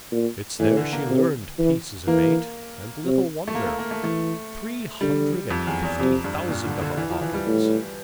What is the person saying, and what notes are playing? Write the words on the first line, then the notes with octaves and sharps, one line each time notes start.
It's there she learned 'Pieces of eight,' and little wonder; three hundred and fifty thousand of 'em, Hawkins!
A#2
A2 E3
D3
A#3
C3
E3
E3 A#3
C3
A3
A#3
A#3
A#3
A3
E3 A3
D3 G3
F2
E2
E2
F2 C3
G2
A#2
D3
D3
E3
F3
E3
G3
A2